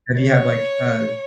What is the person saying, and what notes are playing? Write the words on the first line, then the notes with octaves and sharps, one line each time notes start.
Have you had, like, uh,
C#5